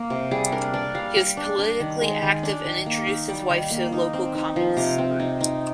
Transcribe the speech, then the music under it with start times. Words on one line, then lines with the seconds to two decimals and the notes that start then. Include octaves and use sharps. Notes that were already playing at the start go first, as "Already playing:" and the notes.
He was politically active and introduced his wife to the local Communists group.
Already playing: A#3
0.10 C3
0.31 G3 G#4
0.52 D4 A#4
0.74 D4 D5
0.94 G3 F5
1.16 G3
1.37 D4
1.58 D4
1.80 D#3
2.01 G#3
2.22 D#3 G#5
2.43 D4
2.65 D#3
2.86 A#3
3.07 D#4
3.28 G3
3.50 D#3
3.70 A#3
3.92 D#4
4.13 C4
4.35 D#4
4.56 F3
4.77 C3 A#5
4.98 C4
5.20 D#4
5.41 D#4